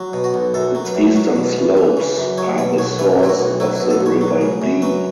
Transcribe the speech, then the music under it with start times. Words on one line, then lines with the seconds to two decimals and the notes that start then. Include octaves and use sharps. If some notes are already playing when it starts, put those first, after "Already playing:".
Its eastern slopes are the source of the River Dee.
Already playing: F#3
0.13 B2
0.24 F#4
0.34 B1
0.54 F#2 A4
0.75 F#3
0.85 B4
0.95 F#2
1.16 F#3
1.36 B2
1.57 E2
1.77 E3
1.97 C#3
2.17 F#2
2.38 F#3 C#5
2.58 B2 B4
2.78 B1 C#5
2.99 E3 B4
3.19 A2 E4
3.29 F#4
3.39 B1
3.60 F#3 E4
3.75 E4
3.80 B2
3.90 A4
4.01 B1
4.06 C#5
4.21 F#3
4.41 C#3
4.62 F#2
4.82 F#3 B4